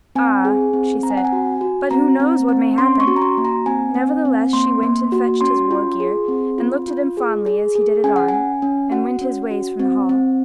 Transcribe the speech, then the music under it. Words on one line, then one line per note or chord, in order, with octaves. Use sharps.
"Ah," she said, "but who knows what may happen?" Nevertheless she went and fetched his war-gear and looked at him fondly as he did it on, and went his ways from the hall.
C4 G#5
G#4
C4
C4 A#5
G#5
F#5
G#5
F#4
F#4
C4 A#5
C4
C4
C#4 C6
C#6
F#4
A#5
C6
A#3
A#5
C4 G#5
C4
C4
A#3 C6
A#3
F#4
C#4 C6
F4
G#4
C4
F4
F4
G#4
G#4
G#4
C#4 G#5
F#5
G#5
C#4
C#4
F#4 F#5
C#4
F#4
C4
C4